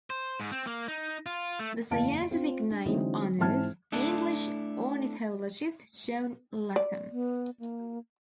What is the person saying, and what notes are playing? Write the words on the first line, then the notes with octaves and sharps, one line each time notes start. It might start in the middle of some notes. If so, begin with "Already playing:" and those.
The scientific name honours the English ornithologist John Latham.
C5
G#2
C4
A#3
D#4
F4
A3
F#1 E2 F5 A5 D7
C4 F4 C5
D4
D3 E3 F#3 G#3 C4 D#4
G#2 E3 C4 A5 F6 G#6
A3 D4 E4 A4
D5
B3
A#3